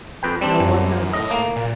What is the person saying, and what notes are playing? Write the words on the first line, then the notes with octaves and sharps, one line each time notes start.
No one noticed her.
F2 B4 G5
G3 C4 D4
F#2
A2 D#5
A#3
A#2